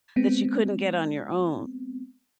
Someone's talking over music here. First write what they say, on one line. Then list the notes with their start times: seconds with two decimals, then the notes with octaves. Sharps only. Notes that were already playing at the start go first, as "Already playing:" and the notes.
that you couldn't get on your own.
0.16 G#3 B3 C4